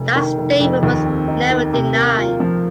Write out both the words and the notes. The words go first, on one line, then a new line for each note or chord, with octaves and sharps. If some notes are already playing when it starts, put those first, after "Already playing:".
That statement was never denied.
Already playing: F1
D#3
F1
F2
D#2
C4
D#4
D#3
C3
A#3
F4
F3